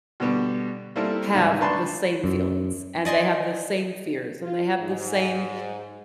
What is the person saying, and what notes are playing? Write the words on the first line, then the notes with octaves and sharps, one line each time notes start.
have the same feelings, and they have the same fears, and they have the same
B2 D3 G3 B3 D4
G3 A#3 C4 E4 A4 A#4
G#2 C#3 G3 G#3
D4 B4 A5 C6 C#6
F#2
D5 D#5 G#5 C6
F4
G#2